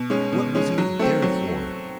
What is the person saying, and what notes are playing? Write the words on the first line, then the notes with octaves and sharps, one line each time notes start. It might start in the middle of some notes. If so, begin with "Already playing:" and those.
What was he there for?
Already playing: B2
G#3 C#4
B2
G#3 C#4
F#3
A3 C4
F#3